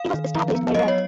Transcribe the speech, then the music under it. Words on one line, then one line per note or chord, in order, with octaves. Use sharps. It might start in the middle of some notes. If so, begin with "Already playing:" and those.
It was established by Revd.
Already playing: F5
D#3
F3
B3
F#3 D#5
C#5